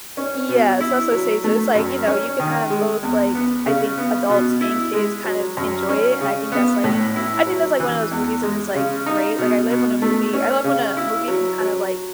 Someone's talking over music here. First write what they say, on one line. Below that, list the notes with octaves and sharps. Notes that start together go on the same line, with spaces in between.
Yeah, so so say so it's like, you know, you can have both like, I think adults and kids kind of enjoy it, and I think that's like I think that's like one of those movies that is like great, like, I live when a movie I love when a movie can kind of like
C#4
B2
E4
F#3
A3
F#2
C#4
D#3
G#3
E2
B3
C#3
B3
B2
E4
G#3
F#3
F#2
C#4
C#3
B3
A2
E4
F#3
E3
E2
G#3
C#3
D#4
B2
B2
A3
C#4
C#3
E4
F#3
F#3